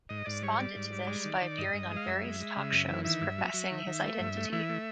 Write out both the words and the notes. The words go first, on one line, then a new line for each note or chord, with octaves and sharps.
He responded to this by appearing on various talk shows, professing his identity.
G#2 D#5
G#2 D5
G3 C#5
G3 D5
G#2
G3
G#3
D#3
D#3
G2 D#5
G2
G#3
F5
F#2 E5
G#3
G#3
C#3
F#2
E3
D#3 E5
G2
F#3
F#3
D#3
D#3
A3
G2
A3
E3 E5
A3